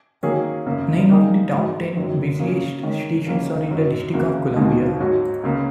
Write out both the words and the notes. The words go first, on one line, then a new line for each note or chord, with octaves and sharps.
Nine of the top ten busiest stations are in the District of Columbia.
D#3 F#3 A#3 C#4 G#4
F#2 C#3 A#3
D#3 A#3 D#4 G#4
G#2 G#3 F#4
F#2 D#3 F#3
C#3 F#3 A#3 C#4
D#3 G#3 C#4
C#2 C#3 A#3 C#4
F#2 F#3 D#4 F#4
C#2 C#3 A#3 F#4
D#2 D#3 G#3 D#4 F#4
G#2 F#3 C#4 F#4
C#2 C#3 A#3